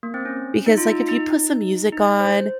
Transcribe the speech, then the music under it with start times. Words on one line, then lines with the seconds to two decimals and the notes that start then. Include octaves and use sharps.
Because, like, if you put some music on,
0.03 A#3
0.14 C4
0.25 C#4
0.66 D#4
0.77 F4
0.88 D#4
1.08 D#4
1.92 D#4
2.20 C5